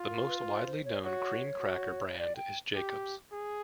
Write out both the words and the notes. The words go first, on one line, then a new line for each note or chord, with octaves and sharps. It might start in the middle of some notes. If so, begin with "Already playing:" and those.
The most widely known cream cracker brand is Jacob's.
Already playing: F4
A#4
B4
B4
C5
C5
C#5
F#4 C#5
F#4
D5
G5
G4
G#4